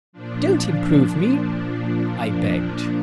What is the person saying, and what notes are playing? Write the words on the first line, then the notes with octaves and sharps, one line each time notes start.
"Don't improve me," I begged.
A#2 F3 D4